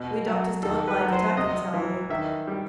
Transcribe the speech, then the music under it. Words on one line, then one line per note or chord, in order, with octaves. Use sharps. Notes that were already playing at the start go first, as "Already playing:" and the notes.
We doctors don't like it, I can tell you!'
Already playing: B2
F#3
D#3 A4
B4
F#3
C5
C3 D#5
E3
D#3 E5
G3